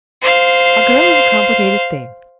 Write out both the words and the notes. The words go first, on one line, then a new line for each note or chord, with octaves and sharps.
A girl is a complicated thing.
C5 F5